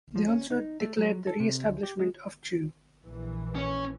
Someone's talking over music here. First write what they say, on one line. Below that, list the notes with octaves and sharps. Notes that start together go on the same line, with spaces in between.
They also declared the reestablishment of Chu.
F3
C#4
D#4
A3
F#3
A4
C3
D2
G4
G#3
A#1 E3
C#4 C#5